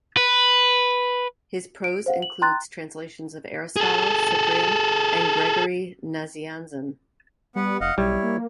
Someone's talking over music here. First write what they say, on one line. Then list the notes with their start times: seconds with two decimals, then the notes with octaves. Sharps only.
His prose includes translations of Aristotle, Cyprian, and Gregory Nazianzen.
0.17 B4
1.84 D7
2.06 C5 F5 F#5
2.22 F#7
2.41 G5 A#5 C6 F#6 A6
3.76 G#4 A4
7.56 G3 B3 B4 F#5
7.81 F1 D#5 F5 F#5
7.98 B1 G3 E4 C#5
8.23 A#3